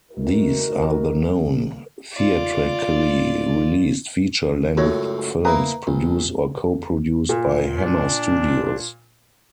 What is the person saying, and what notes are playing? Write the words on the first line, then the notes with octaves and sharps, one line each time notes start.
These are the known, theatrically released, feature-length films produced or co-produced by Hammer Studios.
A3 D#4 E4 F#4 A#4
F4 D5
C#2 F#2 A2 F#4 C#5 D5
A#3 E4 B4 A#5 D#6
A#1
A#2
D4